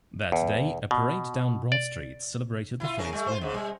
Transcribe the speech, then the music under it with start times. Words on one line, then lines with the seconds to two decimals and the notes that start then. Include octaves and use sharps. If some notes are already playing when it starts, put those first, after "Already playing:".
That day, a parade down Broad Street celebrated the Phillies win.
0.32 E2
0.91 B2
1.72 D5
2.80 E4 F4
2.98 C#3 C#4 A#4
3.13 G3 A3
3.27 F4 C5
3.41 G#2 C#3
3.54 G3